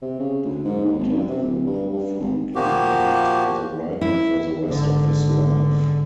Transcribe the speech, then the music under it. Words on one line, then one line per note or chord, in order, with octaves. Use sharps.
Her death profoundly marked the writer for the rest of his life.
C3
C#3
D2
G#2
D#2
G#1
F#2
C3
D1
G2
G2
G#1
A#2 F3 A#3 F#4 G4
E4
G#1 D3